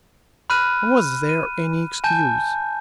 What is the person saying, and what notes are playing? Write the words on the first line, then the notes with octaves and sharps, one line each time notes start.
Was there any excuse?
B5 F6 F#6 D#7
D#7
G#5 A5 G6